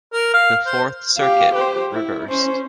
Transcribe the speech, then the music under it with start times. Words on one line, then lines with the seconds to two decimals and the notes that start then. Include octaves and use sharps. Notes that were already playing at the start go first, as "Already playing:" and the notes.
The Fourth Circuit reversed.
0.13 A#4
0.34 F5
0.66 C5
1.16 G4 F5
1.54 G4 C5
1.93 E4
2.30 C#4 C5